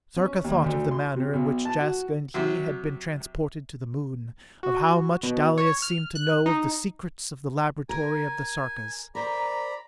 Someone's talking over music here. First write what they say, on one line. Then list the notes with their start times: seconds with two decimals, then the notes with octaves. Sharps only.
Sarka thought of the manner in which Jaska and he had been transported to the Moon; of how much Dalis seemed to know of the secrets of the laboratory of the Sarkas.
0.16 C#4
0.44 D#2
0.64 D2
0.91 C6
1.16 C3
1.33 B1
1.65 A5
1.80 F#4
2.34 C3 F#3
4.63 F#4
5.23 B2
5.58 C#5
5.82 F6
6.15 F#6
6.46 D#4
7.89 A#4 G#5
9.15 A#4 C5 D5 A#5 B5